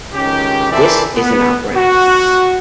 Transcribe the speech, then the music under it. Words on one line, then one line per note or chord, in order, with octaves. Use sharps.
This is an outrag.
C#2 D#3 C#4 G4
E3 A4 A#4 C5 D5 E5
B3
F#4